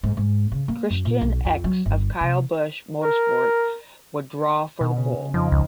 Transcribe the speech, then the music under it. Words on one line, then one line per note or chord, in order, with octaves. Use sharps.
Christian Eckes of Kyle Busch Motorsports would draw for the pole.
G#2
G#2
C#3
A#3
F#2
A#2
B1
F2
F#3
G1
C3
A#4
B2
C#3
F2 F3 C4 D#4
C#2